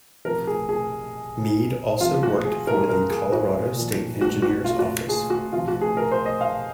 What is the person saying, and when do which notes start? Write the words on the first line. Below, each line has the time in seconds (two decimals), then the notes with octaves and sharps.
Mead also worked for the Colorado State Engineer's Office.
0.25 C3 F3 A#4
0.47 G#4
0.69 G#4
2.00 C3 F3 F4
2.23 F#4
2.45 G#4
2.67 A#4
2.89 A#4
3.10 G#4
3.32 F#4
3.76 A#2 F3
4.21 F#4
4.42 F#4
4.64 F4
4.79 F#4
5.09 G#4
5.30 F#4
5.52 C3 F3 F4
5.68 F#4
5.81 G#4
5.97 A#4
6.11 C5
6.26 D#5
6.41 F5